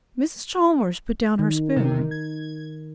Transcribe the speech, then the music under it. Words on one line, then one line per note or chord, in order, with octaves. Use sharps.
Mrs. Chalmers put down her spoon.
D#3
C3
G#6